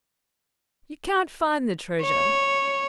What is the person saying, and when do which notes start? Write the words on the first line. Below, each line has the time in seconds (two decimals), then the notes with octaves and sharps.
You can't find the treasure.
2.02 C#5